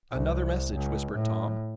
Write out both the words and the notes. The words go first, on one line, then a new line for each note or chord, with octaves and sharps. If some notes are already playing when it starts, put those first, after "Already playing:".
"Another message," whispered Tom.
C2
C#2
A2